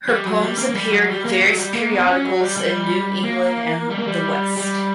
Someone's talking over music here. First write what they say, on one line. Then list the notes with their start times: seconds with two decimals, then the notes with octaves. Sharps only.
Her poems appeared in various periodicals in New England and the West.
0.09 G3
0.25 F#3
0.41 G3
0.58 A#3
0.69 A#3
0.75 G3
0.92 F#3
1.08 G3
1.25 A#3
1.41 F#3
1.57 G3
1.74 A#3
1.91 B3
2.07 C#4
2.25 F#3
2.41 G3
2.57 G3
3.24 A#3
3.90 G3
3.99 A#3
4.07 G3
4.57 G3